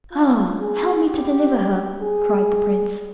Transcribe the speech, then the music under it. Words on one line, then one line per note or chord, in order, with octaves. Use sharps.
'Ah, help me to deliver her!' cried the prince.
F4
G#4
G4
G#4